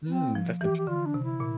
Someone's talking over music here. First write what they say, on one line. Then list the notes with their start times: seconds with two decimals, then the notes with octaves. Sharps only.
Hmm, that's interesting.
0.08 C4
0.35 F3
0.61 E3 G4
0.77 G4
0.87 D3 F4
1.05 D4
1.14 C3
1.23 E4
1.40 A#2